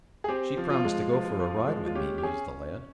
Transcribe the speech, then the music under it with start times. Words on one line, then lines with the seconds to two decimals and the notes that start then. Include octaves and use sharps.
"She promised to go for a ride with me," mused the lad.
0.24 G#4
0.28 C4 G4
0.57 F3
0.70 F4
0.85 G#3
1.12 F3
1.40 F3
1.68 G#3
1.86 F4
1.95 C#4 G4
2.18 G4
2.23 C#4 G#4